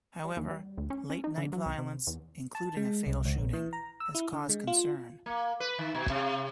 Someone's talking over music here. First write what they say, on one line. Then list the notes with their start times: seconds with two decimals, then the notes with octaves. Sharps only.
However, late night violence, including a fatal shooting, has caused concern.
0.25 G3
0.37 D#2
0.50 G3
0.78 D2
0.90 C#4
1.10 C#4
1.24 D#4
1.38 D3
1.53 F#3
1.66 C2
1.78 C3
2.07 E2
2.55 A5
2.77 G#3
3.07 C2
3.25 C#2
3.38 A#1
3.53 E3
3.73 A#5
4.00 E6
4.15 E4
4.33 D3
4.49 G#3
4.67 F4
5.26 A#3
5.60 B4
5.79 D#3
5.94 B2
6.10 C3